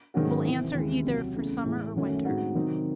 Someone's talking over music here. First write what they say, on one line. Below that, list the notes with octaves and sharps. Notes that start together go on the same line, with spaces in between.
It will answer either for summer or winter.
G#2 D#3 F#3 C#4 F#4
C3 E3 C4
D#2 C#3 E3 G#3
C2 C3 F#3
E2 C#3 E3 A3
A2 E3 G#3
F#2 D#3 F#3 A3 C#4
A2 G#3 C4 D#4 F#4
C3 D#3 F#3 C4 D#4